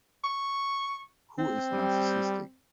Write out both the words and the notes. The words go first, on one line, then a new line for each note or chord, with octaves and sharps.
Who is narcissistic?
C#6
C4
G3